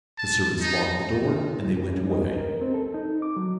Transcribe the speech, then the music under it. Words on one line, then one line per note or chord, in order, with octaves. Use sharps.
The servants locked the door, and they went away.
A5
D#4
D4
E4
D2
C#4
D#5
A#4
C4
A4
D#4
D6
F#3